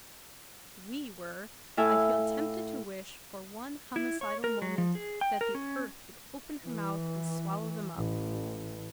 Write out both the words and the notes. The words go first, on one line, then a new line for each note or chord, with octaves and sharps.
WE were!' I feel tempted to wish, for one homicidal moment, that the earth would open her mouth and swallow them up.
A2 E4 A4 E5 F5 G#5
E4
C#5
A#4
F#3
F3
G#4
G5
A#4
C#4
E3
A1